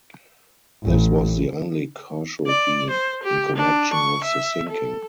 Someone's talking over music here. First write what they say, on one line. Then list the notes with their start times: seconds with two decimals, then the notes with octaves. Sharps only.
This was the only casualty in connection with the sinking.
0.84 A1
2.46 D5
2.91 C5
3.23 G4
3.56 D4
3.93 C#6
4.24 E5
4.69 A4